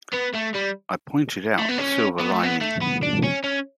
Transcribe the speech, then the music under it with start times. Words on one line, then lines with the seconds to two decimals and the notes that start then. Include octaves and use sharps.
I pointed out the silver lining.
0.13 B3
0.34 A3
0.54 G3
1.59 A3
1.69 B3
1.78 C#4
2.20 B3
2.31 A3
2.43 B3
2.61 A3
2.82 B3
3.03 D4
3.24 C#4
3.44 C#4